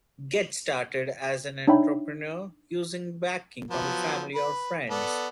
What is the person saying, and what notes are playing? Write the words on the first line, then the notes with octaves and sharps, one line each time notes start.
Get started as an entrepreneur using backing from family or friends.
D4 D#4 C#5 E5 G5 B5
F3 F#3 B3
B4
B3 A4 D5